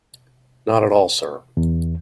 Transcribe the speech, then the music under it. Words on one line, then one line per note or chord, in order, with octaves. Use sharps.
Not at all, sir.
E2